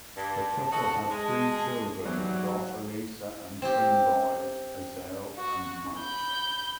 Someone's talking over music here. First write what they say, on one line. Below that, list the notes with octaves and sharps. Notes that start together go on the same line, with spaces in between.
The couple have three children, daughter Lisa and twin boys, Azelle and Mike.
G2 A5
F#4 A4 D#5
G#3
G#2 E3 F#3 G3
C4 G4
F#4
B5 G6